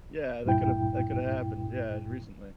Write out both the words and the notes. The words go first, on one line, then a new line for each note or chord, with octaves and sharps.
Yeah, that could've that coulda happened, yeah, recently.
C#2 G2 A#2 E4 G5